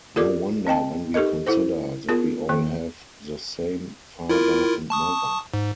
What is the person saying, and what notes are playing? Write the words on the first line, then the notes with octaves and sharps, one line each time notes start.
No wonder when we consider that we all have the same Father and Mother.
F4 G4 A4 A#4 D5 D6
C4 D#5 G5 A5
D#4 G4 A4 A#4 D#5
E4 A4 C5
B3 F4 G#4 A#4
D#3 A#3
E4 F4 A#4
A5 C#6 D#6
G#2